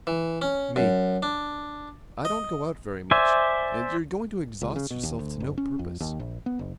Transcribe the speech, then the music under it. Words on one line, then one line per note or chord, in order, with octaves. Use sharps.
ME: I don't go out very much, and you're going to exhaust yourself to no purpose.
E3
C#4
F#2
D4
D#5
C5 D5 E5 G#5
C#2
C#3
B2
D#2
D2
F#1
C#4
F2
D#2
A#1
B3
F#1